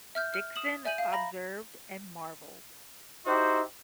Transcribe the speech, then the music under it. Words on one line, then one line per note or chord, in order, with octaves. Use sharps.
Dickson observed and marvelled.
E5 F6 G6
F6
D#6 E7 F#7
D5 E5 G#5 G6 D#7 F#7
F5
A#5 B5 A#6
D#4 E4 F#4 G4 C5